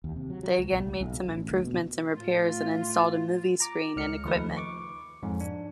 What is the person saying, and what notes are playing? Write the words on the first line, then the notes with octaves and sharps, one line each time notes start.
They again made some improvements and repairs and installed a movie screen and equipment.
D#2
C3
F#3
F#3
C#2
B1
C#2
B1
F#3
A1
D2
B2
A2 F4
A#5 D6
C#2 F6 C#7
D#2 F3 A3 D#4 B4
C#6 D6
F2 G#2
D4